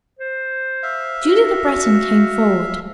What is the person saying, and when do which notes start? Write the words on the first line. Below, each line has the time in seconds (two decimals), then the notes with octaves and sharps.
Julie Le Breton came forward.
0.19 C5
0.83 E5 F5
1.24 F#4